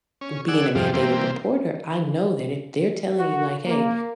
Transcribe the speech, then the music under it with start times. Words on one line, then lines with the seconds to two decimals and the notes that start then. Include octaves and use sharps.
b being a mandated reporter, I know that if they're telling you, like, "Hey,
0.21 C#4
0.48 G#4 D5 F#5 E6
0.75 F2 G#2 F3 G3
0.94 C3 E3 G3 A#3 C4
3.17 F#4
3.65 A#3